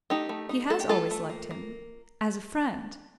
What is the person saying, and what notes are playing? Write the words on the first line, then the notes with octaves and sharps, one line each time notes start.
"She has always liked him--as a friend."
A3 D#4 G4
A3
D#4
A3 A4
G4
A3 F4 A4
A3
A#3
A#3